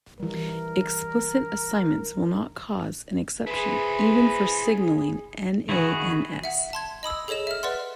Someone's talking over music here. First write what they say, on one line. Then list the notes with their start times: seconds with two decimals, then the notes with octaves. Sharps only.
Explicit assignments will not cause an exception even for signaling NaNs.
0.20 E3 G3 A#4
3.47 E4 G#4 B4 C5
5.69 D#3 E4 F#4 G#4
6.44 E5 F#5
6.73 A5 C6 G#6
7.03 D#5 B5 D#6 E6
7.28 G#4 A4 C#5 D#5 E7
7.47 E5 F6
7.63 B4 D5 F#5 C6